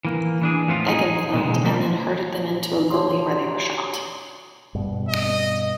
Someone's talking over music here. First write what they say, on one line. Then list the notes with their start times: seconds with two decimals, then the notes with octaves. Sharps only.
Eggenfeld and then herded them into a gully, where they were shot.
0.05 E3 A#3
0.42 E3 D4 G#4
0.68 F2 A2 F3 B3 C4 F4
0.88 D#4 G#4
1.34 B2 D3 G#3
1.63 D3 F3 G3 A#3
2.91 F#4 G4 C#5 C6
4.75 G2 B2
5.09 D#5